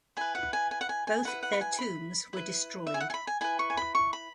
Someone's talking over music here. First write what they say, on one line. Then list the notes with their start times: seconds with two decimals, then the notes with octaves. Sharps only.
Both their tombs were destroyed.
0.17 E4 B4 G#5
0.35 F#5
0.53 G#5
0.71 G#5
0.81 F#5
0.89 G#5
1.07 G#5
1.25 E4 B4 F#5
1.43 F#5
1.53 B5
1.61 G#5
1.79 B5
2.33 E4 B4
2.87 E5
2.94 G#5
3.00 F#5
3.10 G#5
3.14 B5
3.27 G#5
3.41 E4 B4 G#5
3.59 C#6
3.70 G#5
3.77 B5
3.95 C#6
4.13 B5